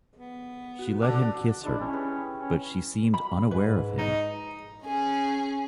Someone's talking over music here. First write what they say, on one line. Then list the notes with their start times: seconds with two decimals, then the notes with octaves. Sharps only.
She let him kiss her, but she seemed unaware of him.
0.17 B3
0.79 F#4
1.02 D3 D4
1.63 G#3 D4 E4
1.81 C#4
1.93 G4 G#4 B4
2.40 C#4
3.14 B5
3.51 G#2 B4
3.98 D#4 D#5
4.85 C#4 G#4